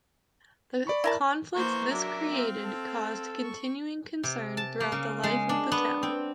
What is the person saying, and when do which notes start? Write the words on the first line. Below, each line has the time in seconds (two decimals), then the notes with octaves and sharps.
The conflicts this created caused continuing concern throughout the life of the town.
0.87 D5 B5 C#6
1.04 E4 A#4 A5
1.55 E3 A#3 C5 A#5 C#6
1.91 F#3 D4 A#4 E5 D6
2.30 C4 F5
2.64 A4
3.43 C#6
4.23 C3
4.57 A5
4.80 A#3
4.92 C#3
5.24 G#3
5.49 D4
5.72 B3
6.03 C4